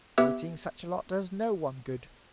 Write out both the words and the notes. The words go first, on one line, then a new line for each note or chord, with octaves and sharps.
Eating such a lot does no one good.
B3 G4 B4 E5 E6